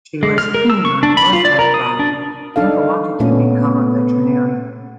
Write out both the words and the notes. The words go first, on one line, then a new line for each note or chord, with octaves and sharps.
She was keen on horseback riding and wanted to become a veterinarian.
G#3
F6
A#4
E6
C#6
D4
B5
F4
D5
A#4
D#6
D4
D4 D#4 A4 F5
A#2 A3 B3 C#4